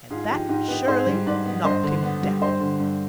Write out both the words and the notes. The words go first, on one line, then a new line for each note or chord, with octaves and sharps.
At that Shirley knocked him down.
G#2 F4 G#4
F3 D#4 G4
G#2 D#4 G4
B3 G4 B4
G#2 G#4 C5
G3
G#2 B4 D5
B3
G2 C5 D#5
D3
B3
G3
G2 C5 D#5
D3
G2